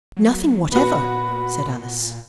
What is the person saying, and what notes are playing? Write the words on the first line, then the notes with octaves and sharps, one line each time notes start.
'Nothing whatever,' said Alice.
F#3
A#2 B3 F#4 B5